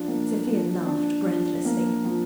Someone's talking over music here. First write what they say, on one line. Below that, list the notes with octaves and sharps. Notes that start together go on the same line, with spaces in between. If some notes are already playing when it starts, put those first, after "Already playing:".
Sofia laughed breathlessly.
Already playing: F3 D4
A#3
F3
D4
F3
A#3
F3